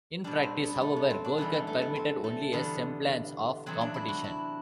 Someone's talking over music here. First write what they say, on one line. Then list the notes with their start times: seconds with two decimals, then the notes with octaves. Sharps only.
In practice, however, Golkar permitted only a semblance of competition.
0.24 B2 G3 D4
0.43 C4
0.63 B3
0.81 A3
0.96 B3
1.10 C4
1.24 D4
1.38 F#2 E3 G3 B3
1.53 A3
1.67 A3
1.82 B3
1.96 C4
2.24 A3
2.52 E2 D3 G3 B3
3.66 E2 C3 F#3 C4
3.81 D4
3.94 E4
4.08 F#4
4.24 E4